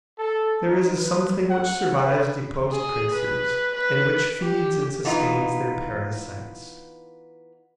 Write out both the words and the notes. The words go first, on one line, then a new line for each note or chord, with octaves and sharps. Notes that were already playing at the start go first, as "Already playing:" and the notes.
There is a something which survives deposed princes, and which feeds and sustains their parasites.
A4
D#4
B4
F#5
B4
G#4
B4
B4
G4
E3 B3 D#4 F4